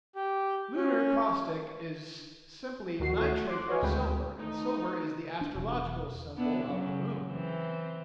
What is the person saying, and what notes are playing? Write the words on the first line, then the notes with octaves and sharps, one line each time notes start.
Lunar caustic is simply nitrate of silver, and silver is the astrological symbol of the moon.
G4
C#4
D2 D#3 F#4 C7
A3 F#4
C6 D6 F#6
F#4 B4 C#5 D#5 F5 G#5
D2 G#3 C4 B4 G5
A3 D#4
D4
E1
B3 D4 E4
F#2 C#3 F#3
E3 C4